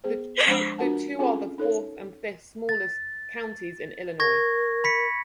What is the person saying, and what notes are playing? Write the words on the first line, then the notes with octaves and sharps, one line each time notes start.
The two are the fourth and fifth smallest counties in Illinois.
B3 G#4 C5
F3 G#3 D4 C5 A#5 B5
D4 F4 F#4 A#4 F#5 A5
C4 C#4 F4 G#4 A4
D#4 A4 C#5
A6
A#4 C#6 G#6 A#6
B5 B6 C#7